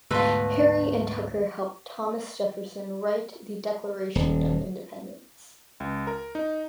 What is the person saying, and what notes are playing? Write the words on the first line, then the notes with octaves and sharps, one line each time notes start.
Harry and Tucker help Thomas Jefferson write the Declaration of Independence.
D2 G#2 B2 A3 B4 F5 C6 E6
D#1
C#2
A#4
D#4